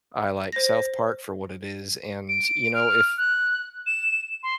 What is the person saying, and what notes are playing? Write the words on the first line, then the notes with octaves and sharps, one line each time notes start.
I like South Park for what it is, and you know, if
C5 A#6
D7
F6
F#6
E7
C6